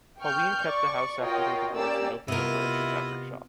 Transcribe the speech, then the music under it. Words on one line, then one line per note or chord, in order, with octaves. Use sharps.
Pauline kept the house after their divorce and opened a furniture fabric shop.
G5 C#6 F6 G6
D5 C#6
F4 F#4 A#4 C#5 D#5 G5
A#3 C#4 G4 D5 E6
C3 B3 E4 F4 A#4 D#5